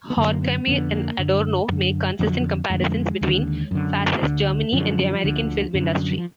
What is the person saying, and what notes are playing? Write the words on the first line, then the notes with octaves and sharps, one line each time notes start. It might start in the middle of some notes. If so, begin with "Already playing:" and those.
Horkheimer and Adorno make consistent comparisons between Fascist Germany and the American film industry.
B3
F#2 D3 A#3
B3
F2 D3 B3
A#3
F#2 D3
F#2 D3
F2 D3 F#3
F2 D3 G#3
A#3
G#3
D#2 D3
F#2 D3
D2 D3
F#2 D3 F3
D2 D3
F#2 D3
F#3
F3